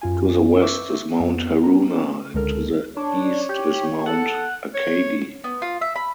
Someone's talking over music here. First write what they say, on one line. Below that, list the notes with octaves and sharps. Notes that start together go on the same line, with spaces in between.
To the west is Mount Haruna, and to the east is Mount Akagi.
F#2 F4 G#5
B4 E5 C#6 D6 E6 G6
F2 B3
B3 C#4 A#5
C#2 D3 G#3 A4 A#4 F6
D4 C#5
G4
A4 F#5
C#5
B3
F4
E5
B5